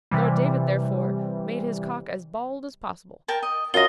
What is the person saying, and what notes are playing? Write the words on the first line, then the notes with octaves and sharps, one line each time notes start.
Lord David, therefore, made his cock as bald as possible.
C3 E3 G3
A#4 G5 A5
D#5
F#2 F4 D#5 A#6 G7